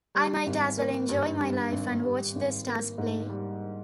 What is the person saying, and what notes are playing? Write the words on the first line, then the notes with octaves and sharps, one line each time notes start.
I might as well enjoy my life and watch the stars play.
G3
G#1
A#3
G2
G3
G#1
G3
G#1
A#3
G#2
G3